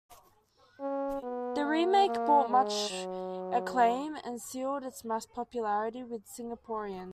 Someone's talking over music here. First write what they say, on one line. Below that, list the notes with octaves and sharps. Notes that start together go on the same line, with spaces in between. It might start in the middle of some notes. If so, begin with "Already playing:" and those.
The remake brought much acclaim and sealed its mass popularity with Singaporeans.
C#4
B3
A#3
A#3
G#3
F#3